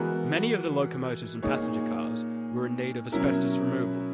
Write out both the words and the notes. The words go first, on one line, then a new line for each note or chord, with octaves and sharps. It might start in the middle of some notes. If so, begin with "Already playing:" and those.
Many of the locomotives and passenger cars were in need of asbestos removal.
Already playing: E3 G#3 B3 F#4 A#4
A#2 A#3 D#4 G#4 C#5
B2 F#3 C#4 E4 A#4